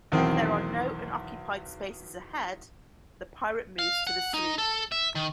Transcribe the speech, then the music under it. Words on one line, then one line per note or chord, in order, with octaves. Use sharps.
If there are no unoccupied spaces ahead, the pirate moves to the sloop.
B1 E2 D#3 C4
F5
F#5
D#4
A4
E5
D#3